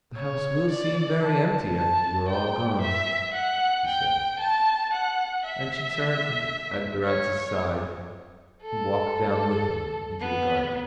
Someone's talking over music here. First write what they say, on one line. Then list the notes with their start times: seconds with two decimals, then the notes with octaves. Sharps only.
"The house will seem very empty after you are all gone," she said; and she turned at Durrance's side and walked down with him into the garden.
0.17 C#5
0.70 D5
1.23 A5
1.75 A5
2.28 G5
2.81 E5
3.34 F#5
3.87 G5
4.39 A5
4.93 F#5
5.45 E5
7.03 C#5
8.62 A4
10.20 B3